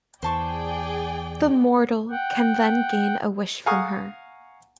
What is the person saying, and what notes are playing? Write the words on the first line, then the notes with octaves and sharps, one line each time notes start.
The mortal can then gain a wish from her.
E2 E3 G#4 C5 D5 G5 A5 C#6
F#5 G5
F5 F#5 G#5 A#5 C#6 D#6